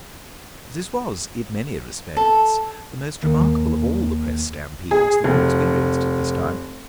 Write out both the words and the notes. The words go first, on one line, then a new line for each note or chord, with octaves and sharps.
This was, in many respects, the most remarkable of all the Press stampedes that were experienced at this time.
A4
D#2
G#4
F1